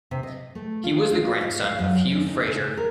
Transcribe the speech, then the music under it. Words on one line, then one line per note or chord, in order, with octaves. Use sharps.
He was the grandson of Hugh Fraser.
C3
D#5
A3
F4
F4
F4
F5
F#2
C#4
D#4
C#3
A#4